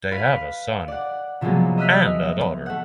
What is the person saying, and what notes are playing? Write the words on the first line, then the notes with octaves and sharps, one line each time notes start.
They have a son and a daughter.
B4 F5
D5 F#5
C3 F3 F#3 G#3 A#3 B3
D#5 E5 D#6 F6 F#6 B6
A3 F#5